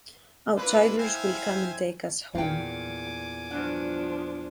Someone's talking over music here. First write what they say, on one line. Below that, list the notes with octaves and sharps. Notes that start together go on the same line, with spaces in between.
Outsiders will come and take us home.
A#3 D4 E4 F4 B4
E4 C5 E5 F5 G5 G#5
E2 A#2 F5 G5 G#5 D6
G2 F3 D4 F#5